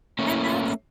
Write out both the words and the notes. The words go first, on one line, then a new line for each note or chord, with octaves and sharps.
and that's
A3 A#3 C#4